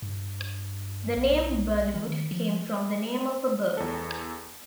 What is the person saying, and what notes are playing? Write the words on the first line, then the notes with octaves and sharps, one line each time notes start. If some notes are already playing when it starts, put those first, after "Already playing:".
The name Balud came from the name of a bird.
G2
B1
E3
D#3
F3
E2 A4